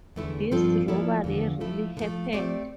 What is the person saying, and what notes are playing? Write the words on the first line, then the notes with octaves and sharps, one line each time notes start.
This robbery really happened.
E2 D3 A3 E4
G2 F3 C4 F4 A4
F3 A#3 E4 A4 D5
E2 D3 F3
F3 A3 E4 A4
D3 F3 A3
A3 C4 G4 D5